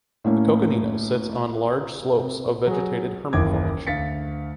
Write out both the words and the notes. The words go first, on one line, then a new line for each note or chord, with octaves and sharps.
The Coconino sits on large slopes of vegetated Hermit Formation.
A2 A3 A#3 C#4
C3
F#3 G#4
F#1 D#2 E3 D6 G#6
D2 F5 A6 B6 C#7